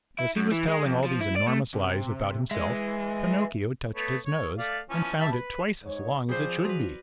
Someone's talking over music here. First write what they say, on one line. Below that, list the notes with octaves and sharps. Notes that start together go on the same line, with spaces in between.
As he was telling all these enormous lies about himself, Pinocchio touched his nose and found it twice as long as it should be.
E4
F#2
E3
G#3
F2
F3
E4
D5
A3
C3
G#3 B4 E5
A3 B3 C#5
C#5
A3 D5 F5
E3 F3 C#4
G3 E5 A5
B4
G#2 C#5
F3 G3 C4 G#4 C5
F#4 B4 A#5